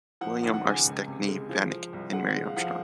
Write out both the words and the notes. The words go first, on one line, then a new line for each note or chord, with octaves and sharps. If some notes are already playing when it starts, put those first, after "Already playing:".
William Arcedeckne Vanneck and Mary Armstrong.
F3 F#5
D#2
F#5
C#3
G#5
C#2
C3
G#3
F3
F3
C2
G#3 F#5
F#5
G#3
F5
F3 F5 F#5